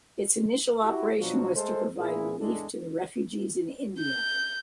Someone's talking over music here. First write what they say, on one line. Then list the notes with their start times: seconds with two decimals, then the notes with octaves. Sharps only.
Its initial operation was to provide relief to the refugees in India.
0.83 E4 F#4 G4
1.20 B2 F3 F#3 D4 F4 F#4
1.55 G#3 A3 A4 C5
1.97 A#2 A#3 B3 E4 G#4
2.38 E2 A2 G#3 D4 A4
3.99 G6